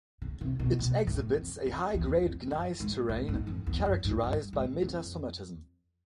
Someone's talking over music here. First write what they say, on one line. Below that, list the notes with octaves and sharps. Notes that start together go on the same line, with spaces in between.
It exhibits a high grade gneiss terrane characterized by metasomatism.
C#3
C3
B2
B2
A2
F2
F2
E2
F2
F#2
G#2
A2
G#2
F2
E2
F#2
G#2
G2
G#2
F2